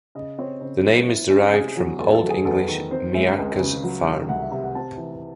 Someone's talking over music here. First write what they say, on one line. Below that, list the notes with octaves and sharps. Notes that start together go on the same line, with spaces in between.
The name is derived from Old English "Mearca's Farm".
C#3 D#5
C4 C#5
C#3 C5
F#3
E4
C#4
C3 G#4
F#3
E2 A4
A4
F#3
G#4
E2 A4
D#3
C4 C5
G#3 E5
C#2
C#3
F#3
D#3
C2 F#5
E5
C3 E5
F#5
C4 A5
E3